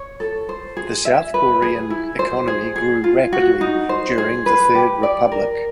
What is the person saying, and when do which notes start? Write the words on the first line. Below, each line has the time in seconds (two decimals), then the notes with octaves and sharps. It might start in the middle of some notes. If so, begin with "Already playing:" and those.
The South Korean economy grew rapidly during the Third Republic.
Already playing: C#5
0.20 A4
0.49 C5
0.77 G#4
1.05 E5
1.34 B4
1.62 G#4
1.90 E4
2.19 C5
2.48 G#4
2.76 G#4
3.04 F4
3.33 F#4
3.61 D#4
3.89 C5
4.18 G#4
4.46 B4
4.75 G4
5.03 D5
5.32 A#4